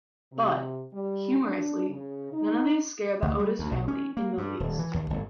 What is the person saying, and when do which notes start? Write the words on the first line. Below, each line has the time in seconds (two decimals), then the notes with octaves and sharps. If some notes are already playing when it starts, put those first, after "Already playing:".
But, humorously, none of these scare the Otis family in the least.
0.32 C3
0.93 G3
1.43 D4
1.90 C#3
2.32 D#4
3.22 D2
3.39 G3
3.59 D2
3.71 B1
3.88 C#4
4.17 A#3
4.38 G2
4.60 D#1
4.79 E3
4.94 D#2
5.10 G1